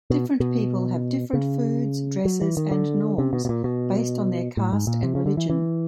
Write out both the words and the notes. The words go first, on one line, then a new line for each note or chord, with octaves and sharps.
Different people have different foods, dresses and norms based on their caste and religion.
B2
B2
C#3
F#3
E3
D#3
D3
C3
B2
B2
A#2
B2
A2
G#2
A#2
C3
C#3
D3
E3
E3